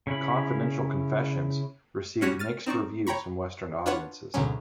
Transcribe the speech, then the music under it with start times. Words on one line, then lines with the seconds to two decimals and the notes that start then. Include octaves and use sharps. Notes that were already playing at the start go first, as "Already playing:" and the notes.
"Confidential Confessions" received mixed reviews from Western audiences.
0.07 C#3 C#4 E4 B5
2.21 G3 C#4 F#4 C#5 G#5 B6
2.39 F6 A6 D#7
2.66 C4 D#4 D5 C#6
3.07 C#5 G5 A#5 B5 C#6
3.86 D4 F4 B4 C#5 F#5
4.34 D2 G#2 B2 D3 F#3 C#4